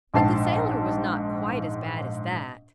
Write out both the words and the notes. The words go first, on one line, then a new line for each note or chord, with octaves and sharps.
But the sailor was not quite as bad as that.
A#1 G#2 A5 C7